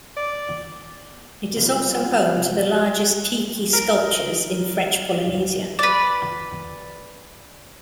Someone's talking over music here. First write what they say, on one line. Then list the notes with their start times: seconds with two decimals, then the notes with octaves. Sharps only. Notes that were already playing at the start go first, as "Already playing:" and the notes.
It is also home to the largest tiki sculptures in French Polynesia.
0.17 D5
1.56 C3 F#3 G3 B3 F4
3.73 A#4
5.79 B4 D5